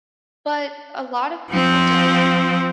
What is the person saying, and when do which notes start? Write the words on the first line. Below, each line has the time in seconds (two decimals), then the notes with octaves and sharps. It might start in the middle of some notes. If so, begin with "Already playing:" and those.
But, a lot of people don't.
1.51 F3 C4